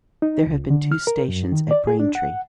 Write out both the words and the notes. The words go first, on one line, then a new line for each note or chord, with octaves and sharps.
There have been two stations at Braintree.
D#4
C#2
D3
F6
A#4
F#2
D#3
D5
G#4
D4
F#5